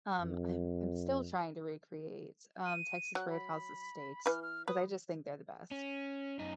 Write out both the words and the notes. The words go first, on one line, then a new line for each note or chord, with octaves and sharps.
um, I'm I'm still trying to recreates, um, Texas Roadhouse's steaks 'cause I just think they're the best.
F2
D#7
F#3 F#6
B5
E3 B4 F6
F6
B4 D#6
C#4
F#2 D#4